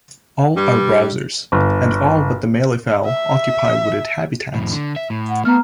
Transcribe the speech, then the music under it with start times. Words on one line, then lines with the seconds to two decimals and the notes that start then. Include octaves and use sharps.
All are browsers, and all but the malleefowl occupy wooded habitats.
0.56 G2 G3
1.52 G1
3.05 E5
4.54 F2 A2
4.73 D3
4.96 E5
5.10 A2
5.29 F#5
5.45 A3 B3 A#5 F6